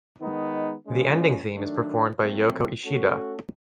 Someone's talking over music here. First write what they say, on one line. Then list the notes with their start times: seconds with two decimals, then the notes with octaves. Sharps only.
The ending theme is performed by Yoko Ishida.
0.21 D#3 G#3 B3 D#4
0.87 A#2 F3 G#3 C#4
1.54 D#3 F#3 A3 D4
2.19 A#2 F#3 A3 C4
2.84 A3 C#4 F#4 A4